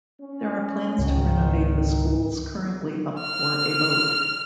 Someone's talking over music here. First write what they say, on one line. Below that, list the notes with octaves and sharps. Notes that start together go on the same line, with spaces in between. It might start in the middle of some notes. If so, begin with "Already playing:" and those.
There are plans to renovate the schools currently up for a vote.
C#4
G#1 C#2 G#2 D#3
F6